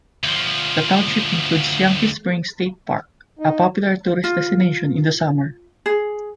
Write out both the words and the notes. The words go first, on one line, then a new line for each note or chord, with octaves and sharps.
The township includes Yankee Springs State Park, a popular tourist destination in the summer.
D2 F3
D#4
F4
G#4